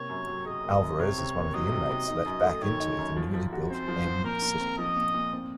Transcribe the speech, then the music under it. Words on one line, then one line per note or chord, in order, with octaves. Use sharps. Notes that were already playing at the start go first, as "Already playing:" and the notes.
Alvarez is one of the inmates let back into the newly built Em City.
Already playing: C3 A#3 C#5
F#2
F#3
C#3 D#5
A#3
F#2
C3 C#5
C3
A#3
F#3 D#5
C3
C3
D#4
F#2
A3
D#3 C#5
D#4
F#2
F3
F3
F#4
C4 C5
F3
F3
A#2 A#4
A#2
C4
F3 D#5
A#2
A#2
C4